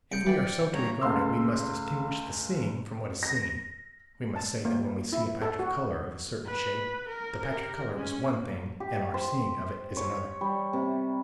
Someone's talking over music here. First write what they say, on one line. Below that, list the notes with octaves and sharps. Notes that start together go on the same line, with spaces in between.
If we are so to regard it, we must distinguish the seeing from what is seen: we must say that, when we see a patch of colour of a certain shape, the patch of colour is one thing and our seeing of it is another.
C2 G6 C#7 D7
D3 E3 D5 G5
A1 G2 C#5 A#5
C#2 A3 F5 C6 E6
A#6
A5
A#3
E4
A4
F#4
B4
A#4
G4 A#4
G#3 C#4
A#3
G4
C5
C#5
G3
C3